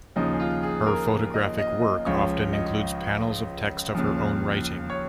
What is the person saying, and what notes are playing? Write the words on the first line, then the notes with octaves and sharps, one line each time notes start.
Her photographic work often includes panels of text of her own writing.
D#2 C#3 F3 D#4
G#4
F4
G#4
A#4
D#5
D#5
D#5
C#2 C#3 F3 C#5
D#5
D#2 C#3 F3
C#5